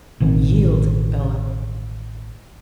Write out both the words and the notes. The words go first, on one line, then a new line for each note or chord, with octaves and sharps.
"Yield, fellow!"
A1 B2 D#3 C4